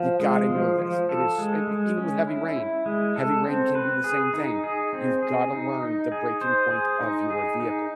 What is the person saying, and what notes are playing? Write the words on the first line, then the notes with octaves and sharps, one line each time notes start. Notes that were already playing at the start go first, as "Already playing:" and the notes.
You gotta know this, it is s eh, even with heavy rain, heavy rain can do the same thing, you've gotta learn the breaking point of your vehicle."
Already playing: F3
G#3
F3
F3
A4
G#3
G#3
C#4
E4
E4
G#3
A4
C4
B4
G#4
D#4
G#4
C4
G#4
D#4
D#4
G#4
C5
G#4
D#4
G#4
D#4